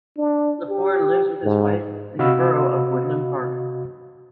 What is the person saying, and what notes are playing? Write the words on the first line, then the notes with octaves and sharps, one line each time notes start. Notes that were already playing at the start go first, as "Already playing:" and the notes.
Lepore lives with his wife in the Borough of Woodland Park.
D4
G4
G#2
C3 F#4 D#5 F5 B5 E6